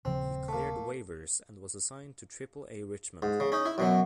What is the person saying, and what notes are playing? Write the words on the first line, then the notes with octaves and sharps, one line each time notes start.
He cleared waivers and was assigned to Triple-A Richmond.
D#1 C#3 F3 C4
A3 A#3
G#2
C#3
C#4 D#4
E4
F#2 B2 F#3